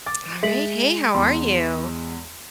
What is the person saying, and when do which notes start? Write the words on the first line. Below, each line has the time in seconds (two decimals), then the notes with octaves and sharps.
All right. Hey, how are you?
0.06 D6 A6
0.43 G#3 E5 B6 F#7
1.14 E2 C6